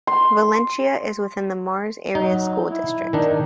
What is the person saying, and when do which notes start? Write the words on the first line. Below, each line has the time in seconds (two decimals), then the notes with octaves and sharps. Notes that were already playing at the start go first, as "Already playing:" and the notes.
Valencia is within the Mars Area School District.
0.07 C6
2.15 F#3 D#4
2.68 E4
3.13 D#3 D4 D#4